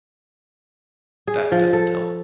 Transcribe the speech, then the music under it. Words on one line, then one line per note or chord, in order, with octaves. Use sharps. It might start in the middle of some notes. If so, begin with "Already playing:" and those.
That doesn’t help.
G#4
F3
A4